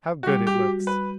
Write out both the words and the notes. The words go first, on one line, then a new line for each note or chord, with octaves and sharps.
How good it looks!
F#4
G3 G4
G4
F#4
G3
B4